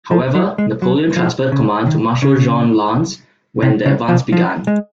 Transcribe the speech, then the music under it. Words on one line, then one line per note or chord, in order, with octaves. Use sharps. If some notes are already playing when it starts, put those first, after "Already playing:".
However, Napoleon transferred command to Marshal Jean Lannes when the advance began.
F3
F#3
G#3
F#3
F3
C#3
D#3
C#3
C3
C#3
F3
F3
G#3